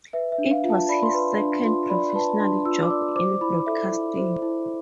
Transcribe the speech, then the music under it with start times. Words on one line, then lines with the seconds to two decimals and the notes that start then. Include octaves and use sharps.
It was his second professional job in broadcasting.
0.13 B4 E5
0.32 E5
0.38 D4
0.51 F5
0.64 F4
0.70 A5
0.89 D5 B5
1.03 C6
1.14 B4 B5
1.39 D4
1.65 F4 C6
1.90 D5 B5
2.15 B4 A5
2.40 D4 C6
2.65 F4 E6
2.83 D6
2.90 D5 E6
3.16 C5 D6
3.41 E4 B5
3.66 A4 E5
3.92 E4
4.17 C5
4.42 E4